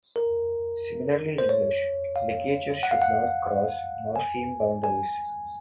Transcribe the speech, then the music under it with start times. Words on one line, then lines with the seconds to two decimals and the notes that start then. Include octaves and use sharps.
Similarly in English, ligatures should not cross morpheme boundaries.
0.16 A#4
1.38 C5
1.49 C#5
2.16 F5
2.83 F#5
2.91 F5
3.02 F#5
4.16 G#5
4.84 G#5